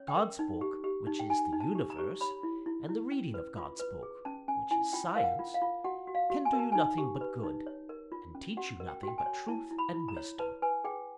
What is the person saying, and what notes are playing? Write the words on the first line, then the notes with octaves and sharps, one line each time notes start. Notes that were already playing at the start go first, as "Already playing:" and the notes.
God's Book, which is the Universe, and the reading of God's Book, which is Science, can do you nothing but good, and teach you nothing but truth and wisdom.
Already playing: C#4 C#5
G5
A#4
D#4
G4
G4
D#4
G5
D#4 G#5
D#4
A5
G4
A#5
G4
C#5 B5
E4
E4
E4
C#4
B4
F4
B4
G#4
C#4 A5
C#4 G#5
E4 G#5
F4 G5
A#4 F5
F#5
F4
F5
F4
F#4 F#5
F#4
F5
F#4
G#5
A#4
A5
D#4 G#5
G4
B4
D#4
C#5
A#4
F4
C#4
F#4 F#5
A#4
G5
F#4 G5
G#5
C#5
E4 A5
E4
B5
E4
A#5
C#5
B4 A5
B4 G#5
G#4 G5